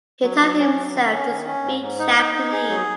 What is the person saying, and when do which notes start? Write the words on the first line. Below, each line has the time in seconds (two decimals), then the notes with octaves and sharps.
He taught himself to speak Japanese.
0.23 F#3
0.41 F#3
0.59 C#4
0.76 F#3
0.93 D#3
1.12 C#4
1.29 D#3
1.47 C#4
1.64 G#2
1.82 G#2
1.99 D#4
2.17 D#4
2.35 D#4
2.52 G#4
2.69 F#3